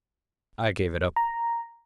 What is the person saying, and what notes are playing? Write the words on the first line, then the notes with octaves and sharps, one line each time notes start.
I gave it up.
A#5